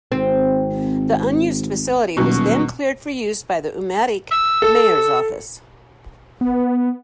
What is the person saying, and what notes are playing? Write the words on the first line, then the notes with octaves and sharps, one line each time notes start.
The unused facility was then cleared for use by the Umatac Mayor's Office.
G#1 C4
D#1 B2 F#3
E6
A4
B3